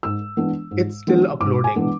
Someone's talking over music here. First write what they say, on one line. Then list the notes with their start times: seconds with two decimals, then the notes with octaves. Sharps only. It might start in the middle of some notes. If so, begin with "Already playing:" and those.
It’s still uploading.
0.03 G#2 E6
0.37 E3 G#3 B3 D4
0.71 G#2
1.07 E3 G#3 B3 D4
1.40 G#2 D6
1.64 G#5
1.75 E3 G#3 B3 D4